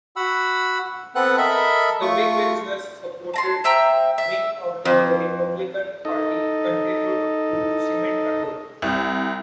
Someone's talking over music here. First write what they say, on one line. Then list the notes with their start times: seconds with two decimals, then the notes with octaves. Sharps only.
The big business-supported wing of the Republican Party continued to cement control.
0.16 F#4 F#5 B5 E6
1.15 B3 C4 A4 B4 F#5 F#6
1.38 A4 A#4 D#5 E5 B5
2.02 A3 F4 C#6
3.33 A5 A#5 C6
3.64 C5 E5 G5 A#5
4.18 E5
4.85 F2
6.05 D#4 A4 D#5
8.82 C2